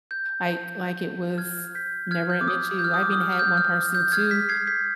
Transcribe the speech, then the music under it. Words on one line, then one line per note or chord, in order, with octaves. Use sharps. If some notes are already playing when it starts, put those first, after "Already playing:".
like, like, it was never an issue. I've even had one person too,
G6
F6 G#6
G6 B6
F6 G#6
G6
D6
D#6
G6
F6
D#6
D6
D#6
F6
F6
G6
F6
G6
F6 G#6
G6 B6
G#6 C7
G6 B6